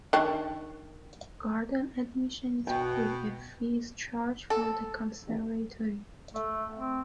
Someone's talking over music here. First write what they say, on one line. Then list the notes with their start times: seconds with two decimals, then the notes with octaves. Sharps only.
Garden admission is free; a fee is charged for the conservatory.
0.13 D#3 D4
2.67 B2 G5
4.50 A4
6.35 A3
6.76 C4